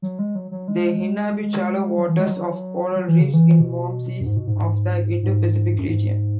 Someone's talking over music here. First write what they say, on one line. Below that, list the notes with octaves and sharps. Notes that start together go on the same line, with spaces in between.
They inhabit shallow waters of coral reefs in warm seas of the Indo-Pacific region.
F#3
G#3
F#3
F#3
G#3
F#3
E3
G#3
F#3
F#3
E3
C#3
E3
B2
F#2
G#2
B2
G#2
G#2
G#2
F#2
G#2